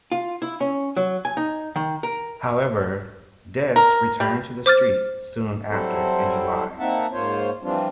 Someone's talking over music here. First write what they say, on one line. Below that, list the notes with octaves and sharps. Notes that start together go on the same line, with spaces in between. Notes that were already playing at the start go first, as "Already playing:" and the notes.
However, Des returned to the Street soon after in July.
F4
E4
C#4
F#3
G#5
D#4
D#3
A#4
A#4
G3
C5 D6 F6 A6
F#3 G3 C4 E4 A4 C5
A#3 C4 D#4 E5 F#5 A5
G#2 A#3 F4 C5 C#5
E3 F3 G3 C4 D4 F4